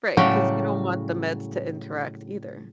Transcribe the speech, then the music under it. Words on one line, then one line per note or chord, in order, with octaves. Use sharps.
Right, 'cause you don't want the meds to interact either.
A2 C#3 F#3 G3 F#4 G5